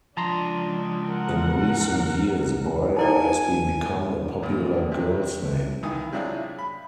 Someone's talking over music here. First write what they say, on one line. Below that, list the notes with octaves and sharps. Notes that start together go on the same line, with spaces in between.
In recent years Bryher has been become a popular girl's name.
C#2 F3 D4 D#5 A5 A#5 C6
A#4 F#5
D#4 E4 D5 G#5
E2 A#2
C3 F#3
B1 D#3 E3 D#6
C3 F#3 D4 E4 F4 G#4
B5